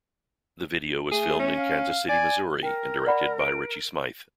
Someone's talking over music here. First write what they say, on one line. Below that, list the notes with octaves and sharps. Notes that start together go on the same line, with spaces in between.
The video was filmed in Kansas City, Missouri, and directed by Richie Smyth.
A3 G#4
C#4
F5
D5 G#5
A#4 G5
D5 F#5 B5
D7